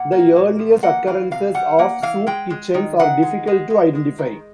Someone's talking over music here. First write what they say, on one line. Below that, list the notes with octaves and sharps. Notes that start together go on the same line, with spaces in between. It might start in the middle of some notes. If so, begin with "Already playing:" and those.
The earliest occurrences of soup kitchens are difficult to identify.
Already playing: A#2 F#5
A#3
A#2
F3
A#3 F#5
E3 F5
C3 F5
G3 F#5
A#3 F#5
E3 F5
G#3 G5
G#3
D#3
D#3 F#5
G#3
G#3
G#3
G#3
D#3